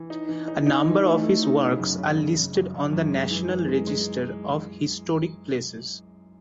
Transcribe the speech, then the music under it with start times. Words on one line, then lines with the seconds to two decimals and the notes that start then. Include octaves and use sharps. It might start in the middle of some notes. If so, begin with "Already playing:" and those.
A number of his works are listed on the National Register of Historic Places.
Already playing: E3
0.10 D#4
0.29 E3
0.48 D#4
0.66 D#4
0.86 E3
1.04 A3
1.23 A3
1.42 D#4
1.61 C#3
1.80 F#2
1.98 C#3
2.18 C#3
2.36 C#3
2.56 F#2
2.74 F#2
2.93 F#2
3.12 G#3
3.31 E3
3.50 E3
3.69 G#3
3.87 G#3